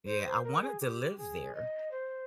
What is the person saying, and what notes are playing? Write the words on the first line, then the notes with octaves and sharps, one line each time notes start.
Yeah, I wanted to live there,
C5
C5
A#4
G#4
G4
G#4
D#5
C5